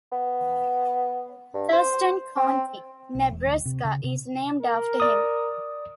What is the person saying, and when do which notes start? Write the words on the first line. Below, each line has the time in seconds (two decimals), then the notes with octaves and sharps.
Thurston County, Nebraska is named after him.
0.12 B3
1.54 G2
1.73 C5
2.37 C4
3.15 B1
3.31 E1
3.47 D2
3.66 C3
3.85 C#3
4.04 C3
4.62 A#4
5.00 D5 D#6